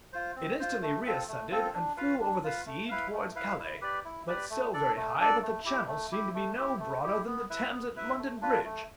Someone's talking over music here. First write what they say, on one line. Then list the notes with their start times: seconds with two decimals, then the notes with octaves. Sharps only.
It instantly reascended and flew over the sea towards Calais, but so very high that the Channel seemed to be no broader than the Thames at London Bridge.
0.13 F4 C5
0.36 C4
0.60 F4 C5
0.82 A3
1.05 C4 F4 A4
1.28 A3
1.51 C4 F4 A4
1.74 D4
1.97 F4 B4 F5
2.20 D4
2.43 F4 B4 F5
2.66 A3
2.89 E4 B4 F5
3.13 A3
3.35 E4 B4 F5
3.58 E4
3.81 G4 B4 D5
4.04 E4
4.27 G4 B4 D5
4.50 A3
4.74 D4 A4 D5
4.97 A3
5.19 D4 A4 D5
5.42 A3
5.65 E4 G4
5.88 A3
6.12 E4 G4
6.34 A3
6.58 E4 G4
6.80 A3
7.03 E4 G4
7.27 B3
7.50 E4 B4 E5
7.72 B3
7.96 E4 B4 E5
8.18 A3
8.41 D4 F4 B4
8.65 A3